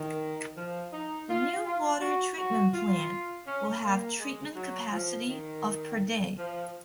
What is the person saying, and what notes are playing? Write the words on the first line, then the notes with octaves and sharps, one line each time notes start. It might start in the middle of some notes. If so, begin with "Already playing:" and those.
The new water treatment plant will have treatment capacity of per day.
Already playing: D#3
F3
D#4
F4
F4
F#4
F#4
F4
C#4
A#3
G#3
F#3
F3
D#3
F3